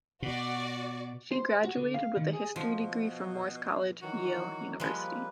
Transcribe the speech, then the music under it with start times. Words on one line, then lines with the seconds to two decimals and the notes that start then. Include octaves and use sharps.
She graduated with a history degree from Morse College, Yale University.
0.22 B2 F#4 D5
1.31 C5
1.64 F#4
1.77 D3
1.94 F5
2.17 D#3
2.33 G#4
2.56 B2 F3
4.02 D#3 E3 F#3 F#4
4.80 F3 G3 G#3 A#3 B4